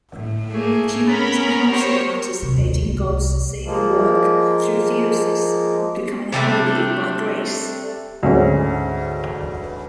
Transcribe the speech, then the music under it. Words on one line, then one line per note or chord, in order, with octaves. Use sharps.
Humanity can also participate in God's saving work through theosis; becoming holy by grace.
A2
A3 A#3 G#4
B3 C#4 A#4 A#5 B5
G4 C5 C#5
C3
D#2
C2
F3 G#3 A#3
C3 G3 A3 D4
D2 G#2 C#4